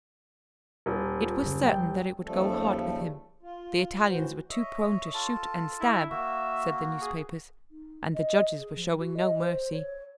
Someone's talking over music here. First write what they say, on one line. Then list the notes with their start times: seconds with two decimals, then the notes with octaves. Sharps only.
It was certain that it would go hard with him. The Italians were too prone to shoot and stab, said the newspapers, and the judges were showing no mercy.
0.86 D#1 A#4
1.20 F4
1.42 F#2 C#3
1.63 G3 G5
2.25 D#2 C#3 F3 G3 A3 A4
3.43 F4
4.09 A2 E3 F#4 C5
4.50 C#5 D#5 E5
5.14 F4 A4 A5
5.80 E4
6.10 A#3 F#4 E5
7.02 G#4
7.71 D#4
8.13 D#5
8.58 G#4
8.75 F3
8.98 F#4
9.17 D#5
9.38 C5
9.72 C#5